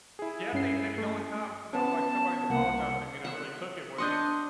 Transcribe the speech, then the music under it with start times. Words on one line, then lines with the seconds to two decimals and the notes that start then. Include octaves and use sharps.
Yeah, I think maybe the only time, you know, like, somebody's apologized to me and I really took it was
0.19 E4 G#4
0.53 G2 C#4 C7
0.98 A3
1.73 B3 C#4 A5
2.50 C2 A#3 F#5
3.25 E5 F#5
3.98 D4 D#5 F#5 C6 D#6 G6